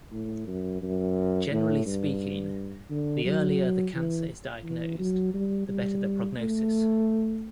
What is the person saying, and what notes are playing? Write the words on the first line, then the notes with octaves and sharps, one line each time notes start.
Generally speaking, the earlier the cancer is diagnosed, the better the prognosis.
A2
F#2
F#2
A2
G2
D3
F#3
E3
E3
F#3
G3
G3
A3